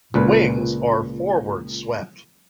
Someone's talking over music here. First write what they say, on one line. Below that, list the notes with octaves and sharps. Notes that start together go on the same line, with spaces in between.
The wings are forward-swept.
C#2 A#2 B4